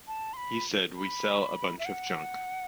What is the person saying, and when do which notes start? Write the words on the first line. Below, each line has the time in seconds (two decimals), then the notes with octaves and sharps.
He said "We sell a bunch of junk".
0.07 A5
0.33 C6
0.37 B5
0.97 B5
1.79 E5
1.85 F#5